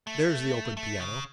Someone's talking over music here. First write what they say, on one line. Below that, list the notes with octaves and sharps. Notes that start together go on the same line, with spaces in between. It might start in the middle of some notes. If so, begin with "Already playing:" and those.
There's the open piano.
A3
A3
C#3